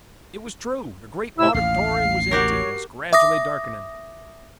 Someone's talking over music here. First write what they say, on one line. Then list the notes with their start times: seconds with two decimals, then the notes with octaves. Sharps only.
It was true, the great auditorium was empty, and was gradually darkening.
1.38 A2 C3 E4 E6
1.54 A1 D#2 F5 C7
2.31 F#4 G4 A#4 C#5
3.13 E5 D6 D#6 A#6